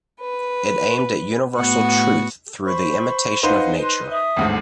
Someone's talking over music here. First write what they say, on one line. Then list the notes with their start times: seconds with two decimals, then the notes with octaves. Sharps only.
It aimed at universal truth through the imitation of nature.
0.20 B4
1.57 A2 B3 F#4 F#5
2.64 C5 B5 C#6
3.43 D#4 B4 C5 F5 F#5
3.84 C6 F#6
4.11 E5 D#6
4.37 G1 D2 G#2